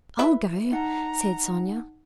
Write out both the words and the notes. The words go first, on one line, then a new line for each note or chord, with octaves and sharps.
"I'll go," said Sonya.
E4 B4 E5
D#4 F#5 A5 A#5